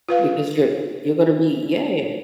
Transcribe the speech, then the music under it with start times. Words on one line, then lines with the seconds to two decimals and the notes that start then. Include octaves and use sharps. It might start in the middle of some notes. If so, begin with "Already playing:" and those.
because you're you're gonna be yeah.
0.09 F4 B4 F5